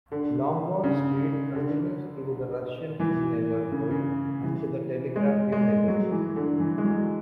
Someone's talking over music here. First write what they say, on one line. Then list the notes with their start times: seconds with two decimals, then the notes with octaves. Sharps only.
Lombard Street continues through the Russian Hill neighborhood and to the Telegraph Hill neighborhood.
0.12 D3
0.83 C#3
1.55 D3
3.00 E3
3.71 C#3
3.91 C#3
4.44 E3
5.16 G#3
5.52 G#3
5.88 F#3
6.11 E3
6.36 D3
6.60 E3
6.78 G#3
6.84 F#3